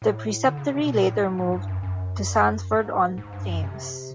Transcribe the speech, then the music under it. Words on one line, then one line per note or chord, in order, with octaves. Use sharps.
The preceptory later moved to Sandford-on-Thames.
A2
D3
C#3
C3
B2
A#2
A2
G#2
A2
G2
F#2
F#2
G#2
G#2
G2
F#2
C3